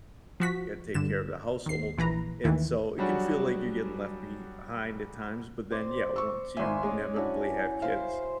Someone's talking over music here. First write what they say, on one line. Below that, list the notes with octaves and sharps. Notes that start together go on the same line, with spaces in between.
gotta take care of the household." And so, it can feel like you're getting left behind at times, but then, yeah, once you inevitably have kids
F3 F#4 B6
G2 D3 E7
D#2 C7
A#1 E3 B4 A#5
D#2 D#3 E3
F#3 G3 D4 F#4 G#4
C4 D5 C6
C#6 E6
G#1 E5 G#5 C6
G#3 C#4 C#5 D5
C#4 D4 E4 F#4
C5 E5 F5